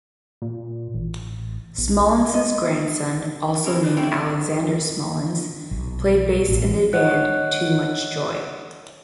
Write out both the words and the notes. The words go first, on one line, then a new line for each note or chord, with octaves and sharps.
Smallens' grandson, also named Alexander Smallens, played bass in the band Too Much Joy.
A#2
A1
B1
D#5
C4 C#4 E4 G4
B4 C5 D5 D#5
D3 A3 C4 C#4 E4 G5
B1
A1
C#5 D#5 F#5 F#6